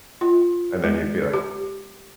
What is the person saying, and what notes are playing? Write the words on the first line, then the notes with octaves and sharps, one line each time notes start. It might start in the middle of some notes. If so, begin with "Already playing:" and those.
and then you'd be like,
F4
G#3
G4